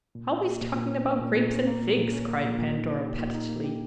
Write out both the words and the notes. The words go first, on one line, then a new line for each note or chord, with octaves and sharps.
"Always talking about grapes and figs!" cried Pandora, pettishly.
A#2
C#4
A#3
A#2
A#2
C#4
A#3
A#2
A#2
C#4
A#3
A#2
A#2
C#4
A#3
A#2
A#2
D#4
A#3
G4
A#2
D#4
A#3
G4